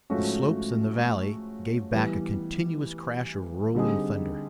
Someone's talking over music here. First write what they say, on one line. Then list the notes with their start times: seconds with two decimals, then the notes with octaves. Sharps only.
The slopes and the valley gave back a continuous crash of rolling thunder.
0.10 G#2 F3 A3 C#4 F#4
1.92 E3 G3 B3
3.75 D3 G3 C4 D#4 G#4